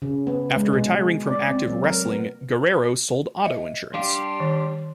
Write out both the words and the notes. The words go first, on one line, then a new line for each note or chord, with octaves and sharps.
After retiring from active wrestling, Guerrero sold auto insurance.
C#3
B3
G#3
B2
D5
C4
F#3
A#4
B3
D#5 E5
G3 D4 G4 F5 C6
D#3